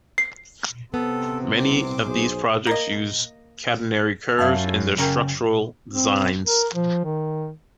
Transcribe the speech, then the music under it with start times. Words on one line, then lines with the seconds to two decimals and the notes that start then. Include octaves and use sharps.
Many of these projects use catenary curves in their structural designs.
0.18 C7
0.94 C3 B3 C4 A4
1.58 C2 C6 D6
2.06 B1 G#4 C5
2.67 A#3 D#5
4.39 F#2 E5 F5 A5
4.98 C#3 A#3 C#4 G5
5.91 C4
6.47 A#4
6.73 F3
7.05 D#3